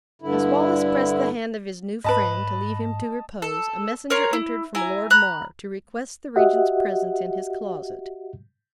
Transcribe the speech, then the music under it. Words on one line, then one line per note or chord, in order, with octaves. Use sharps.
As Wallace pressed the hand of his new friend, to leave him to repose, a messenger entered from Lord Mar, to request the regent's presence in his closet.
G2 D3 E4
G#2 B4 D#5 A5 B5
A4
A#4 C#5 A#5 C6
E4
E4 G#5 A#5
A#5 B5 F#6
F#4 G4 D#5 E5 F#5